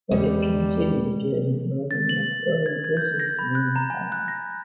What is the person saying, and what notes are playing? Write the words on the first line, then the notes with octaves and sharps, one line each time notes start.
But it continued during the Roman and early Byzantine times.
E2 G3 G#3
A6
F#7
G#6
G#6
G6
A#6
B5
F#6
A#5
G#5
F#6
A#6